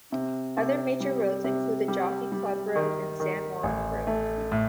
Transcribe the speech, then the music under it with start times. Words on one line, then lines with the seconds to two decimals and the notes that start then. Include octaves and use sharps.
Other major roads include the Jockey Club Road and San Wan Road.
0.12 C3
0.57 C3
1.00 G3
1.44 C3
1.88 G3
2.32 G3
2.76 D#3
3.20 D#3
3.63 A1
4.07 A3
4.52 A2